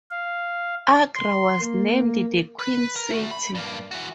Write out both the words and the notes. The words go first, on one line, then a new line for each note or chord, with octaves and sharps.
Agra was named the Queen City.
F5
C6
A#3
B4
A#4
A3 F#4
B5
G2 A#3
E3 F#4